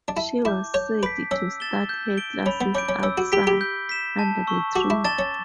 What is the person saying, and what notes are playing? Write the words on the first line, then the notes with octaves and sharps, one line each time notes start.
She was said to start her classes outside, under the tree.
D4
E4 A5
E4 D6 G6
C#5 G6
B4 B6 D7
C#4 E6
A6 E7 G7
G6
D7 G7
C#4 B5
B3
C#4 D6 G6 D7
C#4
C#4 E6
F#4
G4 B6 D7 G7
G4
G6
B6 E7
A5
C#6 E6
F#4 D6
E4
D4 A6 E7 G7
C#4